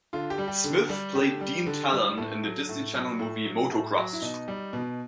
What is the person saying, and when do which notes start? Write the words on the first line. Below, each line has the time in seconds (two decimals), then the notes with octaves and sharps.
Smith played Dean Talon in the Disney Channel movie "Motocrossed".
0.13 D3 F4
0.30 G4
0.38 G3
0.47 G4
0.64 D3
0.89 G3
1.15 D3 G4
1.41 G3
1.66 D3
1.92 G3
2.17 A2 A4
2.43 F#3
2.69 A2
2.94 F#3
3.19 A2
3.44 F#3
3.71 A2
3.96 F#3
4.13 E4
4.22 B2 D#4
4.48 G3
4.73 B2